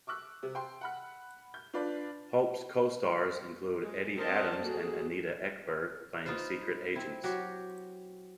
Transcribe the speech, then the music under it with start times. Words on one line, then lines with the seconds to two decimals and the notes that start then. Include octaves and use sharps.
Hope's co-stars include Edie Adams and Anita Ekberg playing secret agents.
0.07 C#6 D6 E6 F#6
0.43 C3
0.55 G5 C6
0.81 F#5 B5 F#6
1.54 G6
1.74 D4 F4 B4 D5
3.81 G#3
4.16 C4 A#4 D5 D#5 A5
4.60 A#3 F#4 G#4 A4
6.26 D#4 F4 B4 C5
6.95 C4 E4
7.24 F#3 F#4 G4